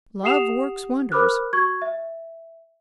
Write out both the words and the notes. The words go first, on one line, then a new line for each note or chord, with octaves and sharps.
Love works wonders.
G4 F#5 D#6 C7 E7 F7
A#4 C5 B5 D6 F6 F#6
F#4 C#6 G#6
E5